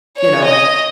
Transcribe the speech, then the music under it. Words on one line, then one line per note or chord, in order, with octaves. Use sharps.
you know,
C#5
D#5